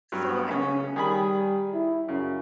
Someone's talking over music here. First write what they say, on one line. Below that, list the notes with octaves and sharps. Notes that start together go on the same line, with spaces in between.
So I think w
G2 F#3
C#3 C#4
D#3 G3 G#4 B5
E4
F#2 C#3